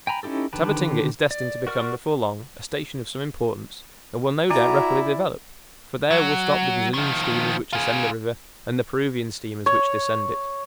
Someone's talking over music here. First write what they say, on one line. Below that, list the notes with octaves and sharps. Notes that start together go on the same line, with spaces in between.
Tabatinga is destined to become before long a station of some importance, and will no doubt rapidly develop, for there will stop the Brazilian steamers which ascend the river, and the Peruvian steamers which descend it.
G5 G#5 A#5 B5
C#4 D#4 E4 G4 A4
D3 D#3 G4 B4 A5
D5
F#4 A#4 D5 C#6 F6
E4 F#4 D5 G#5 A#5
F#3
D#3 F3
F4 G#4
C#5